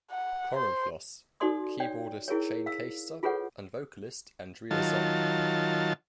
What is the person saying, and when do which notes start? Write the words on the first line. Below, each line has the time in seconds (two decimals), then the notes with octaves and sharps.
Corenflos; keyboardist Shane Keister, and vocalist Andrea Zonn.
0.11 F#5
0.56 C5
1.40 D#4 F#4 A4 D5 C6 D#6
1.80 C#5 D5 G5
2.28 E4 G#4 A#4 C#5
2.66 F5 E6
3.23 F4 G#4 A4 B4 C#5 F#5
4.71 D#3 F#3 F4 A5